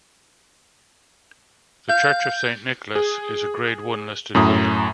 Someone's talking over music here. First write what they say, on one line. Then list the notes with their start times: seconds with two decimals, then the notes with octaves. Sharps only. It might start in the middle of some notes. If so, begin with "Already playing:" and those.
The church of Saint Nicholas is a Grade One listed building.
1.89 F5 G6
2.95 G#4
4.35 F#2 A2 A#5 D#6